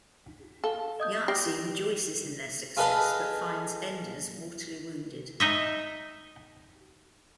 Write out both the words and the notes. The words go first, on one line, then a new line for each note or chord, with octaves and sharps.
Yahzee rejoices in their success but finds Enders mortally wounded.
A4 F5 G7
D#5 D#6 G6
G4 D5 G6 A#6 C7
F4 G#4 A4 B4 D#5 F5
D#4 D#5 E5